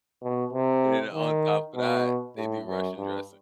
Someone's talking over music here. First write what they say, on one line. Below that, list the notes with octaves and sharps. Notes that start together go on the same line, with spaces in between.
and then, on top of that, they do Russian dressing.
B2
C3
D#3
B2
A2
F#2
G2